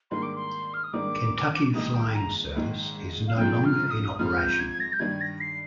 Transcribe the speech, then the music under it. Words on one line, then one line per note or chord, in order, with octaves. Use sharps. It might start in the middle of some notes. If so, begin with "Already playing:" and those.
Kentucky Flying Service is no longer in operation.
G#2 D#3 G3 A#3 D4 C6
D6
C6
F6
D#6
G#2 D#3 G3 A#3 D4 D6
A#1 G#2 D#3 G#3 D#6
G5
A#5
A#1 G#2 D#3 G#3
F5
G#2 F3 C4 G5
F6
F6
D#6
G#2 F3 C4 F6
G6
G#6
G#6
A#6
G6
G2 D#3 G3 G#6
A#6
C7